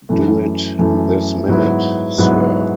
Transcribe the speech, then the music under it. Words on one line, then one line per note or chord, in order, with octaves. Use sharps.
Do it this minute, sir!
F#2 E3 A3
F#2 E3 A3
G#2 F#3 B3 E4
G#2 F#3 B3 E4